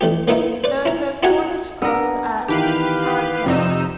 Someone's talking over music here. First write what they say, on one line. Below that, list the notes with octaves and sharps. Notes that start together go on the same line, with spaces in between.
There is a Cornish cross at Carracawn.
E2 A3 G4
A#3 B3 D#4 E4
B4 D5
E4 A#5
E4 F#4 G4 F#5 G#5 A#5
B3 D4 A#4 E6
D#3 E3 G4 B4 F5
F2 C3 D#4 D5 E6